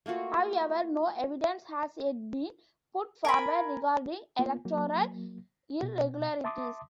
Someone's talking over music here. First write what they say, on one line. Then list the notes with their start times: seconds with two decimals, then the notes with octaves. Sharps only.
However no evidence has yet been put forward regarding electoral irregularities.
0.06 A3 A#3 F4 F#4
3.25 A#4 G#5 B5
4.39 A#3 B3 F4
4.65 F#3 A#3
5.82 B2
6.44 E5 A5 C6 D6 D#6